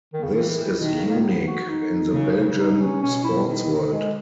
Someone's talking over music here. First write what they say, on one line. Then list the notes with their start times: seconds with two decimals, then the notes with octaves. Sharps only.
This is unique in the Belgian Sports World.
0.13 D#3
0.23 C#3
0.33 D#3 E3
0.80 B2 D#3
0.95 C#3
1.09 A#3
1.20 A#3
1.24 B3
1.46 F#4
1.69 D#4
2.13 C#3
2.58 D#4
2.80 C#4
3.02 B2 C#4
3.24 E4
3.47 D#3
3.91 G#3